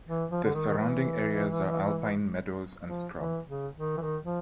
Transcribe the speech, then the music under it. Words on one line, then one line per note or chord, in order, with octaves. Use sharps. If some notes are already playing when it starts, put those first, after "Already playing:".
The surrounding areas are alpine meadows and scrub.
E3
F3
D3
D#3
D#3
E3
F3
E3
C#3
D#3
E3
D#3
F3